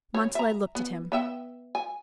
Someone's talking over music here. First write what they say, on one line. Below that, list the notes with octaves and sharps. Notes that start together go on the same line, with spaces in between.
Montalais looked at him.
C#5
E5 A#5
B3
B3 E5 G5
G#5